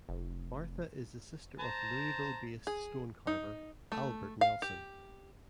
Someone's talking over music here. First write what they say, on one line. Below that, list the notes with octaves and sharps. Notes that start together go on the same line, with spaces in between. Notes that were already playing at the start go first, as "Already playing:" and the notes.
Martha is the sister of Louisville based stone carver Albert Nelson.
F1
C5 A5 A#5
G#4
D#4
A3
F5
G4